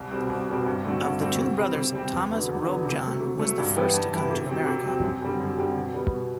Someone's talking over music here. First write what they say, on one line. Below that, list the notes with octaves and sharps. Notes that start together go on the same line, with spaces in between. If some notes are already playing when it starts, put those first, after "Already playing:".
Of the two brothers, Thomas Robjohn was the first to come to America.
Already playing: C2
B2 G3 C4
C2
B2 G3 C4
G2
D3 A3 C4 F#4
G2
D3 A3 C4 F#4
C3
G3 C4 G4
C3
G3 C4 G4
E2
D3 F#3 B3
E2
D3 F#3 B3
C3
F#3 A3
C3
F#3 A3
G2
E3 B3 E4 G4
G2
E3 B3 E4 G4
C3
F#3 C4 G4
C3
F#3 C4 G4
F#2
D3 G3 C4 G4
F#2
D3 G3 C4 G4
B2
G3 B3
B2